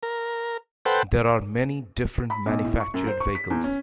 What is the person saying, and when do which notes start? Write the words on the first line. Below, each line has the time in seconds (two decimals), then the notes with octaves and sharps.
There are many different manufactured vehicles.
0.03 A#4
0.85 A4 B4 C5 F#5 G5
2.30 B5
2.46 B1
2.65 A2
2.80 C#6
2.94 F#2
3.07 C5
3.20 C#6
3.35 B6
3.50 E2
3.64 C#4